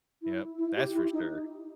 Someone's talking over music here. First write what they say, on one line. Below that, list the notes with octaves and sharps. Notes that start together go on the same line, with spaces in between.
Yep, that's for sure.
E4
E4
G4
E4
D#4